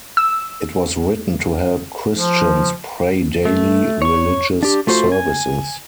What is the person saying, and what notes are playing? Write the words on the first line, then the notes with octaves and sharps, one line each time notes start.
It was written to help Christians pray daily religious services.
E6
F3
A3
C#5 C#6
D4 G4
A3 F4 F#4 C5
G#5